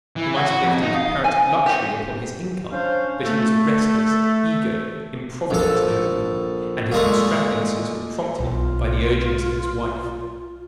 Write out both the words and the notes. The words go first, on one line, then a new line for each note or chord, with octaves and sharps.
He might have lived in comparative luxury upon his income; but he was a restless, eager, improvident nobleman, and his extravagances were prompted by the urgings of his wife.
E3
F#4
F2
D#4
F5
G#5
G4
C#4 D4 C5 F5
A3
A#1 A4
A#2 G#3 A3
B1 F4